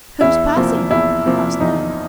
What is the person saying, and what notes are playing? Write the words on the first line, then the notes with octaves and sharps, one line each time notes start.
"Who is passing?" asked Nan.
E2 E4
C3 F3 A#3
E2 E4
C3 F3 A#3
E2 D#4